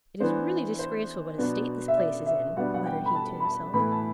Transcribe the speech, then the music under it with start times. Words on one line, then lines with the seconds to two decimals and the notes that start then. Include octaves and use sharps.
"It is really disgraceful what a state this place is in," muttered he to himself.
0.20 E3 B3 D4 C5
0.79 C5
1.38 B2 F#3 B3 D4
1.88 E5
1.97 D5
2.26 E5
2.57 B2 G3 B3 D4 F#5
2.74 F#5
2.86 G5
3.06 B5
3.15 A5
3.40 B5
3.44 A5
3.74 A2 E3 B3 B5
3.91 A5